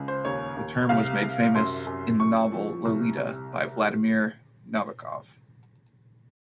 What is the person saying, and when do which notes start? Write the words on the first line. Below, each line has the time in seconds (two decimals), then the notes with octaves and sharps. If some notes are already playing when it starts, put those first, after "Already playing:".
The term was made famous in the novel "Lolita" by Vladimir Nabokov.
Already playing: C#2
0.08 C5
0.25 D#2 C#5
0.57 D#2
0.89 C2 F5
1.22 C2
1.55 F#2 C6
1.87 F#2
2.20 F#2 C#6
2.52 F3
2.85 C2
3.17 C2